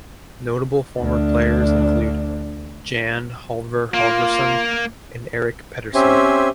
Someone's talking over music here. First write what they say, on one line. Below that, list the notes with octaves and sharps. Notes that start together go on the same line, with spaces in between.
Notable former players include Jan Halvor Halvorsen and Erik Pedersen.
D2 D4
A#3 F4
C4 C#4 G4 C5 E5 G#5